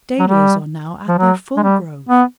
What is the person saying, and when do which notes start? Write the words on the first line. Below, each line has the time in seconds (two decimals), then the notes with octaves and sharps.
Dahlias are now at their full growth.
0.19 F#3
0.28 G3
1.08 F3
1.18 F#3
1.57 G#3
1.63 G3
2.09 B3